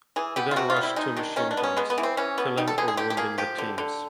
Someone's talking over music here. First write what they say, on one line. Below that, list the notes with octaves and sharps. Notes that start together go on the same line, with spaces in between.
He then rushed two machine-guns, killing or wounding the teams.
E3 G#4
B3 G4
F4
C3 F#4
F4
G3
E4
G#3 D#4
D#3 D4
D#3 C#4
D4
B3
C#4
G#3 B3
B3
E3
C4
E3 C#4
B3
G3 D#4
A4
D3 G#4
G#4
D3 G4
G4
A#3 G#4
F3 G4
D3
D3